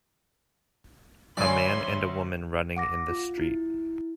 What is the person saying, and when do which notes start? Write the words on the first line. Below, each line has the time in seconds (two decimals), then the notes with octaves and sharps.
A man and a woman running in the street.
1.37 D2 F#3 C#5 D5 G#5 B5 C6
2.76 F#5 D6 A#6
3.09 F4
3.38 E4